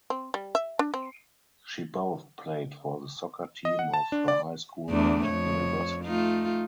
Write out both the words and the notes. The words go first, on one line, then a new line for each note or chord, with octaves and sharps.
She both played for the soccer teams of her high school and university.
C4
G3
E5
D4
C4
D#5
F#5
A5
D4
D5
E2 A3 D4
F2 C#5
A3 D#4 F4